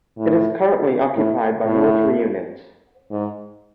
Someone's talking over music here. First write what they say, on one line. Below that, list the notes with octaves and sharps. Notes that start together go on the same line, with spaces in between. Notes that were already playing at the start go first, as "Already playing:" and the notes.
It is currently occupied by military units.
A2
A2
A2
G#2